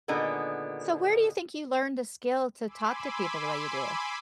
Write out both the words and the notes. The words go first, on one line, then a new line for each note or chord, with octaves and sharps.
So, where do you think you learned the skill to talk to people the way you do?
A#2 D3 D#3 G#3 B3
G#5 B5 C6 D6 E6